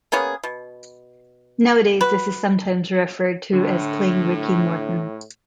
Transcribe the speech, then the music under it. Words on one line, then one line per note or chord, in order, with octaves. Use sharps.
Nowadays, this is sometimes referred to as "Playing Ricky Morton".
A#3 B3 C#4 G#4
B2
F#4 B4
A2 D3